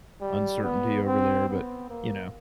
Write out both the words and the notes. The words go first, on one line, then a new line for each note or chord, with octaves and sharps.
uncertainty over there, but, you know,
G3
B3
C4
B3
A#3